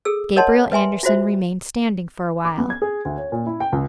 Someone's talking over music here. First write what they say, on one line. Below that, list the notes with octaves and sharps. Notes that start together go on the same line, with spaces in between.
Gabriel Andersen remained standing for a while.
G#4 A4 E6
A#4 C#5 D#5 F#5 A5 C6
B4 E5 G#5 C6
F4 F#4 C5 E5
D6
B3
G#6
G#4
D2
C#5
A#2
E4
G5
C#2